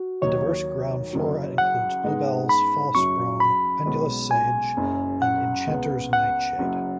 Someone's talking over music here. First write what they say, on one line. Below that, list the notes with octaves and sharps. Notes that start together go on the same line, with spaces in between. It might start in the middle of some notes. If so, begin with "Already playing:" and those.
The diverse ground flora includes bluebells, false brome, pendulous sedge and enchanter's nightshade.
Already playing: F#4
D#2 D#3 F#3 D#4 C#5
F#1 F#2 C#3 F#3
F#5
G#2 G#3 B3 D#4
B5
F#2 C#3 F#3 C#4 C#6
B5
B1 B2 G#3
G#5
F#1 F#2 C#3
F#5
C#2 C#3 B3
F#5
F#1 F#2 F#3